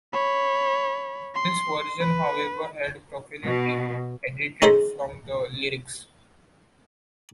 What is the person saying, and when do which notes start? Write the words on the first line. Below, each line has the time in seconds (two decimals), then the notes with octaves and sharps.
This version, however, had profanity edited from the lyrics.
0.13 C#5 B5
1.35 C6
2.01 B4
3.45 B2
4.62 C#4 D#4 G#4 A4 C5